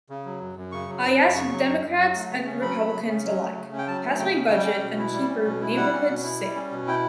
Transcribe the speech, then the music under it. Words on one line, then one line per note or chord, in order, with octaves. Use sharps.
I ask Democrats and Republicans alike: Pass my budget and keep our neighborhoods safe.
C#3
F#3
F#2
F#2
C#3 C#6
F#3
F#2
F#2
C#3 C#6
F#3
F#2
F#2
F#3
A3
C#3
C#4
F#3 B5
A3
C#3
C#4
F#3
A3
C#3
C#4
G5
F#3 A5
A3
C#3 G5
C#4
G3 G5
C#4
B2
E4
G3
C#4
B2
E4
G3 F#5
C#4
B2
E4
G3
C#4
B2
E4 G5